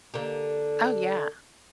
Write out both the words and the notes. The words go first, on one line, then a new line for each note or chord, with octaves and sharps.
Oh, yeah.
D3 A#3 G4